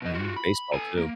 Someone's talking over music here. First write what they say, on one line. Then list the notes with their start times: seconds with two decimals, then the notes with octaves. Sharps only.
Mhm, baseball too.
0.02 B2 D#5
0.14 F4 F#4
0.36 B5
0.73 A4 G#5
0.98 A#3